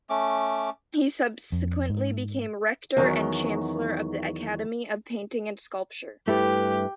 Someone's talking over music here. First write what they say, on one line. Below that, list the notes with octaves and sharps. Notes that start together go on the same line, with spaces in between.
He subsequently became rector and chancellor of the Academy of Painting and Sculpture.
A3 C#4 D6
F2
G#2
E2 D#3 F#3
G2 A3 E4 G4 B4